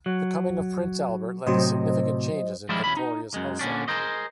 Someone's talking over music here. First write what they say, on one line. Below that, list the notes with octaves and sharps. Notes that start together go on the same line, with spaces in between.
The coming of Prince Albert led to significant changes in Victoria's household.
F#3
A2 C3 F#3 C5 D#5
F3 G3 G#3 D4 E4 F4
E2 B2 C#4 B5
D#4
F#2 G#3
A#2 D3 C#4 D4
G#4 A#4 C5 D#5